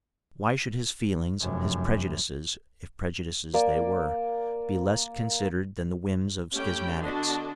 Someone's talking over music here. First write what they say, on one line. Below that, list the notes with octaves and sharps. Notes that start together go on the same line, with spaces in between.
Why should his feelings, his prejudices, if prejudices they were, be less considered than the whims of schismatics?
F1 F#2
A#3 D5
A3 C#4 G4 G5 B5
D3 B3 D4 F#4 D#5 A5